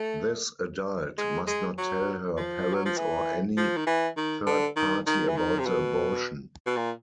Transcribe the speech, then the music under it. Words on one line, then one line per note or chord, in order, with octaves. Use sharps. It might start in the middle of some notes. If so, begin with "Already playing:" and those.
This adult must not tell her parents or any third party about the abortion.
Already playing: A3
G#3
G#3
F#3
F3
F#3
F3
E3
F3
D#3
E3
D#3
D3
D#3
D#3
E3
D#3
C3
B2
B2
A#2